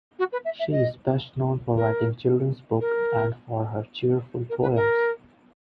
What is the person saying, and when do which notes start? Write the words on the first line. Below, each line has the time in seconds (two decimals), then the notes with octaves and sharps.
She is best known for writing children's books, and for her cheerful poems.
0.19 F#4
0.32 B4
0.45 E5
0.59 E5
0.72 D#5
1.76 A#4
2.80 A#4
4.50 A#4
4.62 B4
4.75 A#4